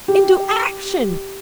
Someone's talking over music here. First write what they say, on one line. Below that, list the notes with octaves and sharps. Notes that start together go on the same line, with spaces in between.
Into action!
G4